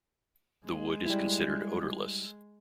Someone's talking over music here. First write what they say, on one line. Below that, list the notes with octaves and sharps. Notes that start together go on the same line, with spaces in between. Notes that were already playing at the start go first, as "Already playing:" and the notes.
The wood is considered odorless.
G#3
G3 E4